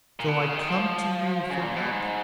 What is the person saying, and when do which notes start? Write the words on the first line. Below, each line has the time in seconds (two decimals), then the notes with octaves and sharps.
So I come to you for help.
0.20 A#2
0.28 B2
0.42 C#3
0.55 D#3
0.69 F3
1.50 C#3
1.64 A#2
1.76 B2
1.91 G#2